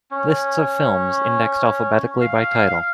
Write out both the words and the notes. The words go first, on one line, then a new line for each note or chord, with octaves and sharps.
Lists of films indexed alphabetically by title.
C#4
F5